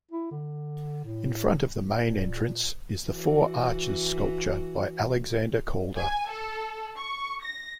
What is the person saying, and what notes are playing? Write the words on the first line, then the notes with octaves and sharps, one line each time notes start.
In front of the main entrance is the "Four Arches" sculpture by Alexander Calder.
E4
D3
A2
A#2
E3 F#4
G#5
A4
C#6
A#6